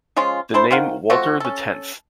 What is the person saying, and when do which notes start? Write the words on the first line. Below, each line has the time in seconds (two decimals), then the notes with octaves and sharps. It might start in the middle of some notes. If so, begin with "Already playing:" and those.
The name Walter the Tenth.
0.16 F3 G#3 C#4 F4
0.54 D4 E4 A4 C5
0.71 D#3 C5 F5 F#5
1.10 F3 A3 C4 F#4
1.40 C#4 A4